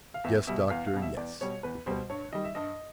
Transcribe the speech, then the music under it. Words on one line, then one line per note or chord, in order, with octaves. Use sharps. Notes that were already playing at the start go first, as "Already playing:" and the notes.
"Yes, Doctor, yes," replied the captain.
F5
E2 E5
B2 G3 E5
E2 F5
F5
B2 G3
E5
E2 D5
B2 G3 C#5
E2 B4
B2 G3 C5
G2 C#5
D#3 G3 D#5
E5
G2 D#5